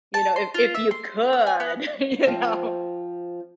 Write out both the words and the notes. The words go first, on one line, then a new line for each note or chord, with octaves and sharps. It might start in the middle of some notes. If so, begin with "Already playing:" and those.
you know, if if you could, you know,
A5
C6
F4
E5
C6
E6
G#5
B3
F3 C4